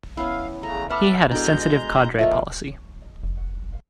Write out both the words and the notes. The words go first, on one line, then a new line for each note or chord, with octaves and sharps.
He had a sensitive cadre policy.
B3 C#4 E4 F5
E2 C#3 A3 A#5
B4 E5 F#5 A5 B5 D6 F6
B2 G#3 D4 E4 A4 D5 A#5 G6
F3 A3 A#3 D#5 E5
F1